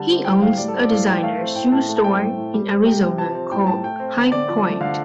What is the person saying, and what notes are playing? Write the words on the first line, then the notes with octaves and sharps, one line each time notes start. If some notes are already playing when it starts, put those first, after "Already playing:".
He owns a designer shoe store in Arizona called High Point.
Already playing: D3 G3 A5
C4
A2 G5
A2 F5
G3 D5
A4
C4
D5
A2 F5
A2 G5
A3 F5
C4
A2 G5
A2 A5
A3
A5
C4 G5
A2
A2
G3
C4
C3 G5
C3
F3 A5
C4
A2 G5
A2 A5
A3 G5
C4
D3
D3 D5
F3
A3
D3 F5